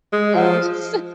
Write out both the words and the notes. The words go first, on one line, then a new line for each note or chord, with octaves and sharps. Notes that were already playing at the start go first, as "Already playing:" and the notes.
um, so
G#3
F3